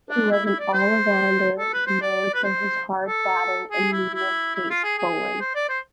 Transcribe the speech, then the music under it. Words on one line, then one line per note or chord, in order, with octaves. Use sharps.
He was an all-rounder known for his hard batting and medium-pace bowling.
D4
E4
E4
D5
C5
A4
B4
C5
D5
B4
C5
A4
G#4
E4
E4
E4
F4
G#4
G#4
C5
D5
C5